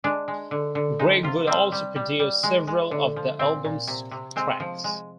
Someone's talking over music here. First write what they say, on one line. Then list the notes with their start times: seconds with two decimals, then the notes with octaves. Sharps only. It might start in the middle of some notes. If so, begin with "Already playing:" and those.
Gregg would also produce several of the album's tracks.
0.04 G#3 D4
0.28 G#3
0.51 D3
0.75 D3
0.99 G#3 D#4
1.23 C3 F4
1.47 G3 C4
1.72 G3
1.96 G3
2.19 G3
2.43 G#3
2.67 G#3
2.91 D3
3.16 F3
3.39 A#2 C4
3.64 A#2
3.88 C3
4.11 C3
4.36 G#3 C4
4.60 F3
4.84 G#3